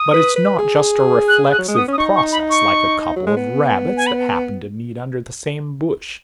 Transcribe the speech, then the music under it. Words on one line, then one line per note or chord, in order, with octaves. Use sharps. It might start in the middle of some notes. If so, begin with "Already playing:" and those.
But it's not just a reflexive process like a couple of rabbits that happen to meet under the same bush.
Already playing: D#6
B4
B4
G#4
F#6
F#6
F#3
G#3
D#6
B3
C#4 D#6
D#4 C#6
C#6
B5
C#6
F#3
G#3
B3
G#5
B5